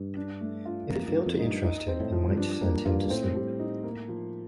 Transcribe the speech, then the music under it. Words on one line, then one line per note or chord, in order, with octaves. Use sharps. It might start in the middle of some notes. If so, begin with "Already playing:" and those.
If it failed to interest him, it might send him to sleep.
Already playing: G2
D4
A3
F4
F2 A#3
G2
F3
F2
D#4
G2
D#4
C4
A2
F3
G2 D4
G2 A#3
G2 F4
A2 C4
G3
D#4
A#3
F3